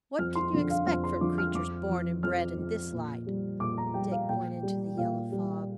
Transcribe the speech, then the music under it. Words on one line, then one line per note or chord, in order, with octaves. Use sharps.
What can you expect from creatures born and bred in this light?' Dick pointed to the yellow fog.
F2 F6
C6
D3 F3
F5
F2 F6
C6
D3 F3 D6
F6
F2 D6
F3
F2 F6
F3
A#2
G3
A#2 D6
A#5
G3 G5
F5
A#2 G5
G3
A#2 F5
G3